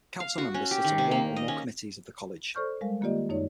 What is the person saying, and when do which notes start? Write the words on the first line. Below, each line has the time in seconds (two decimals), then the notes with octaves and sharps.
Council members sit on one or more committees of the College.
0.20 F5
0.38 F#4
0.54 C#4
0.71 G4
0.84 D#3
0.98 C3
1.11 A#3
1.36 D#5
1.48 C#4
2.55 A4 C5 D5 C#6 F6 G6
2.81 G3 G#3 A#4 F5
3.01 D#3 A#3 F4 G4 D5 D#5
3.29 F#2 D#4 C#5 D5